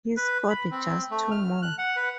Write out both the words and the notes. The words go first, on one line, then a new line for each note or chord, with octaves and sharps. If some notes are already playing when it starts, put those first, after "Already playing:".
He scored just two more.
B4
B5
C4
A3
F6
F#6
F#5
B4